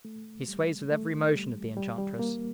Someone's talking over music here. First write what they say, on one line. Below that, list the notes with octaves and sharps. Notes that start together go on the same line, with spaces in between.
He sways with every motion of the enchantress.
A3
G3
A3
G3
G3
G3
A#3